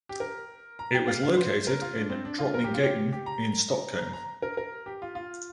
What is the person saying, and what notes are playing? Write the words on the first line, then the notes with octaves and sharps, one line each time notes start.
It was located in Drottninggatan in Stockholm.
G4
A#4
A#5
G5
F5
F5
C5
A#4
F4
D4
C4
D4
F4
A#4
G4
F4
G4
G4
A#5
A#5
A#5
A#4
A#4
G4
F4
F4